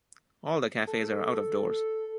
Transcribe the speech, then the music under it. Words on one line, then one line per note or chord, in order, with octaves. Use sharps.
All the cafes are out of doors.
A4